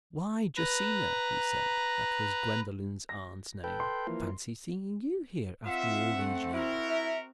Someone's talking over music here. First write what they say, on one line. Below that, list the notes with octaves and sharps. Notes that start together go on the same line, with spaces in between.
"Why, Josina," he said--that was Gwendolen's aunt's name--"fancy seeing you here after all these years!"
B4 A#5
A#6
A4 B4 G5
C6
E3 F3 A#3
C4 F4 E5 F#5
A3
E4 F#4 A#4
E5